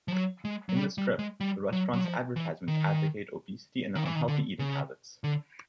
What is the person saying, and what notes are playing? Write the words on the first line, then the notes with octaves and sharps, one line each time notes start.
In the strip, the restaurant's advertisements advocate obesity and unhealthy eating habits.
F3
F#3
G#3
F#3
G3
G3
G#3
G3
F#3
F#3
F3
E3
D#3
D#3
E3
D#3
D3
C#3
D3